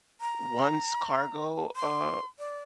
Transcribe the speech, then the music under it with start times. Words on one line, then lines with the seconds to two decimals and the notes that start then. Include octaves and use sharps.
once cargo, uh,
0.21 A#5
1.76 C6
2.39 D5